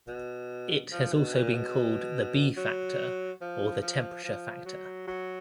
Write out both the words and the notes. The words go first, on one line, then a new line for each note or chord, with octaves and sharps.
It has also been called the B factor or the temperature factor.
B2
F3
B2
A#2
B2
F#3
F3
F3
F3
F#3
F#3